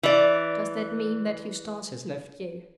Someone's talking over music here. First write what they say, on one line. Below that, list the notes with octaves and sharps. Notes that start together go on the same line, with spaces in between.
"Does that mean that Eustace has left you?"
E3 D5